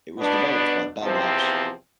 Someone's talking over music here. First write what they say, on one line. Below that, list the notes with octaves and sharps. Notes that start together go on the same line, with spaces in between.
It was developed by Bell Labs.
B2 B3 D4
E2 C3 F3 C4